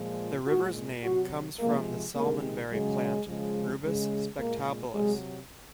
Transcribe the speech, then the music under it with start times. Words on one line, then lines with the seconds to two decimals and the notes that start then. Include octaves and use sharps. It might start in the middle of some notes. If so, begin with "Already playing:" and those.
The river's name comes from the salmonberry plant, "Rubus spectabilis".
Already playing: A#2 F3 G#3
0.47 A#2 G#3 F#4
1.03 C3 F#3 F#4
1.59 C3 F3 G#3 A#3
2.14 C3 D#3 G#3 A#3
2.70 C#3 F#3 G#3
3.27 C#3 F3 G#3
3.82 C#3 G#3
4.38 A#2 G#3 A#3
4.94 C3 F#3 G#3